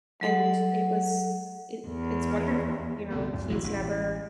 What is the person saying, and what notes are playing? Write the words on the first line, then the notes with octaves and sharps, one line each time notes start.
And it was it it's wonderful, you know? He's never,
F#3 A4 F#5
E2
C2 B2 D3
D1
A1 B2 F#3 E4
A1